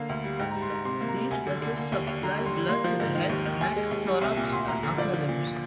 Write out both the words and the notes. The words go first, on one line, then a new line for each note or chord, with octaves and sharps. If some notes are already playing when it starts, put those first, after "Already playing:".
These vessels supply blood to the head, neck, thorax and upper limbs.
Already playing: D3 A#3 F5
D2
G3
G#2 G5
G3 A#5
C6
G#2 A#5
C3 C6
A#3
A#5
G3
D2 G#5
D3
D3
A#3
D#2
D#2
D3 A#5
G3
C6
G3
A#3 C6
F3
G#2
D#3
D#2
D#3
D#2 G#5
G#3
D#2
G3
C2
A#2
D2 C6
D2 A#5
D3 A#5
F3 D5
F3
A#2